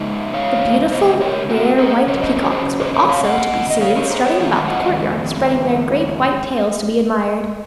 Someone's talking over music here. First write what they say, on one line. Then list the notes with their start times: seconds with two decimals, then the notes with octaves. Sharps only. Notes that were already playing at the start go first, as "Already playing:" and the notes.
The beautiful, rare, white peacocks were also to be seen strutting about the courtyard, spreading their great white tails to be admired.
Already playing: C#3 G#3 D#4
0.34 C#5 F5
0.92 C5 D#5
1.21 A#4 C#5
1.49 F#4 A#4
1.78 G#4 C5
2.07 C#3 F#3 C#4 A#4 C#5
2.22 C5 D#5
2.36 A#4 C#5
2.51 G#4 C5
2.80 G#4 C5
2.94 A#4 C#5
3.09 C#5 F5
3.23 D#5 F#5
3.71 D#5
3.81 C#5 F5
3.95 A#4 C#5
4.10 G#4 C5
4.24 A#4 C#5
4.39 F2 D#3 G#3 F4 G#4
4.68 D#5 F#5